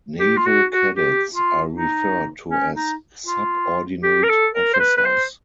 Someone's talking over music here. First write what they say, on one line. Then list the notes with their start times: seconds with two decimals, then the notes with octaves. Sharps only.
Naval cadets are referred to as subordinate officers.
0.20 G4
0.37 F4
0.46 F#4
0.71 F#4
0.97 G4
1.34 F4
1.74 D#4
2.50 C#4
2.75 D#4
3.27 F4
4.03 G4
4.23 A#4
4.29 A4
4.54 A#4
4.74 C5
4.80 B4
4.97 B4
5.05 C5